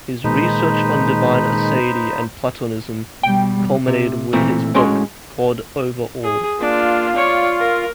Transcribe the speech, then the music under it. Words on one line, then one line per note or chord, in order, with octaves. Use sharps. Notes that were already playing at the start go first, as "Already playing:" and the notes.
His research on divine aseity and Platonism culminated with his book "God Over All".
A#2 D#3 G#3 D#4 B4 C5
B2 G3 G5
C3
A#2 E3 A3 C4
A2 G#3 C#4 F#4 C6
G#4
A#3 D4 F4
C#5 D5
A#4